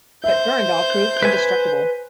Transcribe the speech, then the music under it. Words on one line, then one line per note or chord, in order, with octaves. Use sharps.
But Durendal proved indestructible.
C5 E5 G6
B4 G#5